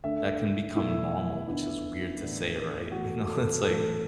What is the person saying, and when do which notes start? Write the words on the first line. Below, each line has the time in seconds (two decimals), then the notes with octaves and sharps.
that can become normal, which is weird to say, right? You know, it's, like
0.04 D2 D3 A3 E5
0.75 B2 A3 D4 E4
1.47 D2 D3 B3 E4
2.20 A2 E3 B3 D4
2.92 E2 E3 A3 F#4
3.28 A4
3.64 A2 E3 A3 A4